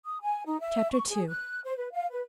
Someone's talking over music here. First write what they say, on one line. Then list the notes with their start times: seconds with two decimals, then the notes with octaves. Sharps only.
Chapter II.
0.04 D#6
0.22 G#5
0.46 D#4
0.60 E5
0.92 C#6
1.09 G#4
1.28 F#6
1.64 C5
1.78 B4
1.92 F5
2.09 B4